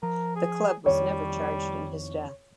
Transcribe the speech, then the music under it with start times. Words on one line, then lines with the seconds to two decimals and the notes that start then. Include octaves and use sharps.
The club was never charged in his death.
0.03 F3 A#4
0.36 G#4
0.86 F2 D#3 G3 C#5